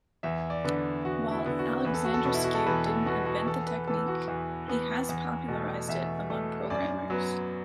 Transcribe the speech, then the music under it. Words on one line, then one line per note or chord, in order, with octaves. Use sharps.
While Alexandrescu didn't invent the technique, he has popularized it among programmers.
E2 E5
D5
D3 B3
E2 F#4
E4
D3 B3
F#4
E2 B4
A4
F#4
A4
B2 B3
E4
F#4
A4
E2 B4
A4
B2 B3 F#4
F#4
E2 A4
B4
E3 B3 A4
A4
F#4
E2
E3 B3
E2
B2 A3
E2 E5
B2 A3
F#2 D5
F#3 B3